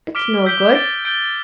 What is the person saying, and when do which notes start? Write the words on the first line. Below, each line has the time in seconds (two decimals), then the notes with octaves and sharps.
"It's no good."
0.15 D6 F6 B6 D7 G7
0.45 E6 G6 B6 D7 G7
0.75 A6 D7 G7
1.05 G6 D7 G7